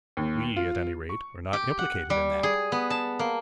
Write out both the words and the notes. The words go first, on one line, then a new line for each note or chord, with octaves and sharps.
"We at any rate are not implicated in that."
D#2
F4
C#6
G4
F#5
G3
G#4
B3
A5
A#3